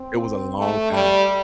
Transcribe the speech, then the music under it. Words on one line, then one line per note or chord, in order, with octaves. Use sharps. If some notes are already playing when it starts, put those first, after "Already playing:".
It was a long time,
Already playing: C4
A3
G3